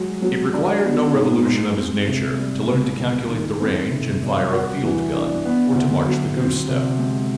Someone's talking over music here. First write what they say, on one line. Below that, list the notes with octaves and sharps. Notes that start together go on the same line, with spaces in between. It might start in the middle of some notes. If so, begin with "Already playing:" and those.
It required no revolution of his nature to learn to calculate the range and fire a field gun or to march the goose-step.
Already playing: F#3 G#3
F#3
D4
B3
G#2
G#3
C4
C3
G3
C#2
C#2
D#3
C4
C3
G3
F#4
E3
D4
B3
D2
F#3
C4
C3
G#3